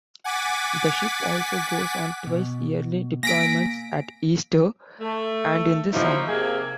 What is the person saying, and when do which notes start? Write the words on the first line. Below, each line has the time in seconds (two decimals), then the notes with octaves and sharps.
The ship also goes on twice yearly deployments, at Easter and in the summer.
0.24 F#5 G#5 D6 A6 B6
2.27 B2
3.23 A#3 G#5 A#6 B6 D7
5.01 A3
5.93 F3 F#3 A#3 C4 D#4 E4
6.28 C3 A#3 G#4